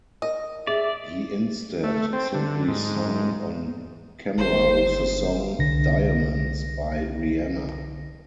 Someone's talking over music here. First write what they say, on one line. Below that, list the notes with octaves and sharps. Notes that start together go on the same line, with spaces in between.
He instead simply sung on camera with the song: "Diamonds" by Rihanna.
A#4 D#5
G#4 D5 E5
A3
C4
D3
G#2
G1 C5
C2 D3 A#6